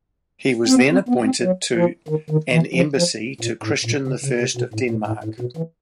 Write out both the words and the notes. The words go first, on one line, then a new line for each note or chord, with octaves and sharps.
He was then appointed to an embassy to Christian the First of Denmark.
C4
B3
C4
B3
C4
F#3
F3
D#3
D#3
E3
F3
F3
A#2
A2
A#2
C#3
C#3
C3
B2
A2
A#2
A2
A2
B2
E3